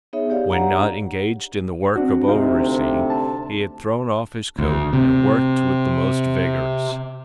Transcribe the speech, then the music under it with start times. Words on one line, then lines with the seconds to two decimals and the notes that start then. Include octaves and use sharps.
When not engaged in the work of overseeing, he had thrown off his coat and worked with the most vigorous.
0.13 B3 D#4 G#4 C#5 E5
0.30 G4 C#5 D5 F5
0.51 D4 G4 F#5 A#5
1.96 C4 D4 F#4
2.28 D2 C3 D#4 F5
3.10 A5
4.59 D2
4.93 C3